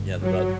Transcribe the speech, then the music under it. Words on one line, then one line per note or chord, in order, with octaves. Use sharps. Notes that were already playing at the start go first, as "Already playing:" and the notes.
Yeah, th that
Already playing: A1 G2 D3 A3
F#3